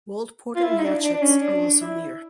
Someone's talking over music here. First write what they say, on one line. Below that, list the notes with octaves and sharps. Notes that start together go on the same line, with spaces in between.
Waldport and Yachats are also near.
F4
E4
D#4
D4
D4
D4
C#4
D4
E4